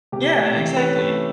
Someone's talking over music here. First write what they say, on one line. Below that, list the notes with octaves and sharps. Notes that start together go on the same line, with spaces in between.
Yeah, exactly.
C3 G4
A3
E3
C#4 B4
A3